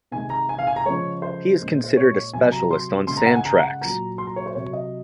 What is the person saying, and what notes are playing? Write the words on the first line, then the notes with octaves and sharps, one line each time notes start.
He is considered a specialist on sand tracks.
C3 D#3 G#3 G#5
A#5
G#5
F5
G#5
A#5
C#3 F3 G#3 C#5
C5
A#2 G#3
C5
C#5
C3 F#3 G#5
A#5
C6
C#3 G#3 C6
A#5
F#5
G#5
A#5
F#5
A#2 F#3 A#5
C6
A#5
C#5
C5
C3 F#3 C#5
D#5